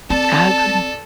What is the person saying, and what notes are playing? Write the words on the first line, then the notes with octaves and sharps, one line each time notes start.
I agree.
C4 A4 D5 A5